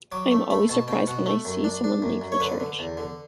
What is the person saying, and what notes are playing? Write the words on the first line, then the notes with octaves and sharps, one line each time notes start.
I am always surprised when I see someone leave the church.
F#3 D6
A3
A3 B5
B2 A5
B2 G5
B2 F#5
A3
F#2
D4
D4
F#2
F#2
C#5
D3 B4
D3
E2
D3